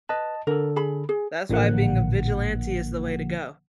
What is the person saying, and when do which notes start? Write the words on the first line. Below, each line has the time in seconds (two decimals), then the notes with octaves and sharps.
That's why being a vigilante is the way to go.
0.09 B4 D#5 A5
0.47 D3 A4 A#4
0.76 G#4 B5
1.09 G#4
1.49 A1 A#2 D3 F3 A#3 F#5